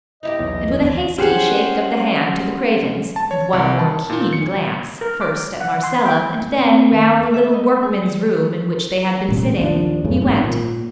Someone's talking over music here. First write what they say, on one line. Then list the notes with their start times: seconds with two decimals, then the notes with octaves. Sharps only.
And with a hasty shake of the hand to the Cravens, and one more keen glance, first at Marcella and then round the little workman's room in which they had been sitting, he went.
0.23 D#4 E4 G4 D#5
0.39 B1 E2
0.71 D2 E3
1.18 C#4 G4 G#4 C5 F#5
3.16 A5
3.31 C#5
3.53 C2
3.79 A5
4.10 A#2
4.33 C#7
5.01 A#4
5.21 D6
5.60 F#5
5.84 C6
6.05 G5
6.59 C4
6.92 D#2
7.34 E5
7.54 D#5
7.83 G#4
8.03 G3
9.29 A1 A#2
9.62 D#2 F3 D4
10.04 F#2 A2 C#3
10.21 A1 G#2
10.44 A#2